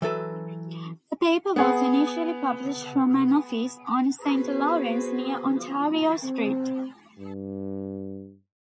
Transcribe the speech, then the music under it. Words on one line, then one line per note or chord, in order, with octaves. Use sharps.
The paper was initially published from an office on Saint Lawrence near Ontario Street.
E3 F#3 A4 B4
B3 G#4 F#5
B3 F#4 G#4 B4 C5
C4
G2